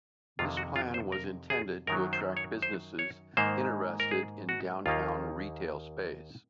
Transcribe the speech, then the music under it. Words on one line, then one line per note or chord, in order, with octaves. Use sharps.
This plan was intended to attract businesses interested in downtown retail space.
F2 C3 D#3 A#3 F4
F#4
F4
C5
A#4
G#4
F#2 D#3 F#3 A#4
C5
C#5
C5
C#5
G#2 D#3 A#3 C5
A#4
G#4
F#4
D#2 D#3 A#3 F4